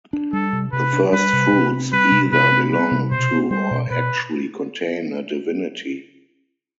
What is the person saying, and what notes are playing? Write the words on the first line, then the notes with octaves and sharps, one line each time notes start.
The first-fruits either belong to or actually contain a divinity.
D4
G3 A4
C3
C3 B4
D4
G3 B4
C3
C3
C4
G3 B4
C3
C3 B4
C4
G3 B4
C3
B2 C5
B3
G3 C5
B2
B2 B4